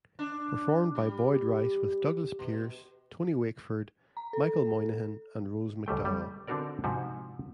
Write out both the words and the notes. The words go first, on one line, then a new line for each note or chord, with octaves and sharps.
Performed by Boyd Rice with Douglas Pearce, Tony Wakeford, Michael Moynihan and Rose McDowall.
D4
G3
B2
A#5
A4
C#2 G3 A3 G5
G3
D3 C4 D4 F#4 A#4 D5
G#2 C3 F3 C4 E4 F#4